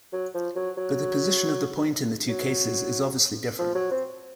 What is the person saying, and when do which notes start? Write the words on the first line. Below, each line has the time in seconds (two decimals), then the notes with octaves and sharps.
But the position of the point in the two cases is obviously different.
0.12 F#3
0.34 F3
0.56 F#3
0.77 F#3
2.29 F#3
3.58 F3
3.75 F#3
3.91 C4